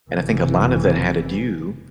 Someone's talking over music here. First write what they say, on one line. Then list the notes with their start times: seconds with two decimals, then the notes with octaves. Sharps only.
And I think a lot of that had to do,
0.10 F#1 C3 E3